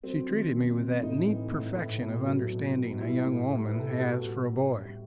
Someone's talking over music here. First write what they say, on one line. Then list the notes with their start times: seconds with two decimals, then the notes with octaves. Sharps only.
She treated me with that neat perfection of understanding a young woman has for a boy.
0.03 F#3 C4
0.29 D#3
0.53 C3
0.78 C3
1.03 A2 D#4
1.27 E3
1.51 A2
1.76 A2
2.01 B2
2.26 F#3
2.52 B2
2.76 B2
3.00 G3 E4
3.25 A2
3.50 G3
3.68 B4
3.75 A2 A4
3.89 G4
4.00 B2 F#4
4.24 G3
4.49 B2
4.74 G3